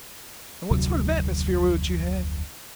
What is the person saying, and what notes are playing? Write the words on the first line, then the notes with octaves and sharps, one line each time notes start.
And what sort of atmosphere would you have?
F1 D2 C3 F#3